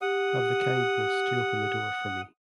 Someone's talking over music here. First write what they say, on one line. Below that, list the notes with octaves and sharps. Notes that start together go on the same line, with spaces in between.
Have the kindness to open the door for me.
G4 F#5 D#6